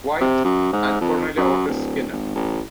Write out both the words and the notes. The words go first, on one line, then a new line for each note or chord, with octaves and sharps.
White, and Cornelia Otis Skinner.
C3
F#2
G#2
F2
F#2
D1
G#1
A1